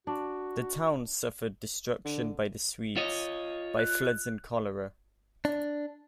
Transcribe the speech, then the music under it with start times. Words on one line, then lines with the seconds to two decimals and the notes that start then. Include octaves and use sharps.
The town suffered destruction by the Swedes, by floods and cholera.
0.07 D4 F#4
2.04 D3
2.97 F4 C#5 D#5
3.79 F#6
5.45 D4